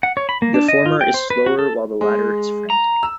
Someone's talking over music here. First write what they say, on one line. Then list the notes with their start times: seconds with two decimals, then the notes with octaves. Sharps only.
The former is slower while the latter is frantic.
0.03 F#5
0.17 C#5
0.29 B5
0.42 A#3
0.54 D4
0.68 D#5
0.86 F4
1.01 G5
1.14 C5
1.30 B4
1.46 F#4
1.59 A4
2.01 G#3
2.70 A#5
3.03 E6